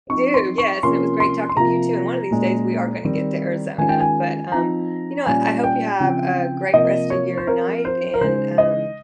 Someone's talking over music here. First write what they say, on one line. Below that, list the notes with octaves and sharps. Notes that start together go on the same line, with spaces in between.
do, yes and it was great talking to you, too, and one of these days, we are gonna get to Arizona but, um, you know? I hope you have a great rest of your night, and, um
F3 C4 D#4 C#6
C6
C#6
C3 F3 A#3 C#4 F4 C6
C6
C6
C3 F3 A#3 F4 A#5
A#2 G#3 C#4
D#3 G3 C4
D#3 G#3 C#4 F4 G#5
G5
G#5
F3 C4 D#4 A#5
A#2 G3 C#4 F4 G#5
G5
C#3 F3 C4
C3 F3 A#3 F4 D#5
C#5
C5
F3 C4 F4 A#4
C5
A#4
C#3 G#3 D#4 C5
D#5